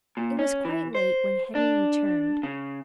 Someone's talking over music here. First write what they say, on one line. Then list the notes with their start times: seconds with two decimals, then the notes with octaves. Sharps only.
It was quite late when Henry returned.
0.17 A#2
0.39 C#4
0.65 E3
0.95 C5
1.55 D4
2.43 C#3